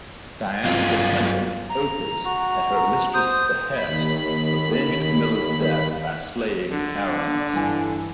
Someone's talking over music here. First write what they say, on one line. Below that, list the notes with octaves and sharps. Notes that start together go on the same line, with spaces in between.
Diana's attendant, Opis, at her mistress' behest, avenged Camilla's death by slaying Arruns.
G2 F#3 F4
A#5
F#4
C5 D#6
D#2 B5
D3 D4
G2 E3 G#5